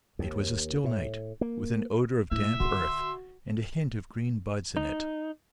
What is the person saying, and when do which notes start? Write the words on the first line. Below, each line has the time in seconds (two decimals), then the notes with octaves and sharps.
It was a still night, with an odour of damp earth, and a hint of green buds in it.
0.19 D#2
0.84 A2
1.41 A#3
2.32 A2 E4 E5
2.60 D3 F#4 C6
4.77 D#4